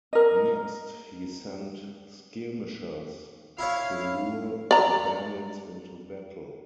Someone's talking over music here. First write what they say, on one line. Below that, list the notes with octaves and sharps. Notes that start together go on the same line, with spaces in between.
Next, he sent skirmishers to lure the bandits into battle.
A#4 D#5
E4 C#5 F5
D5 A#5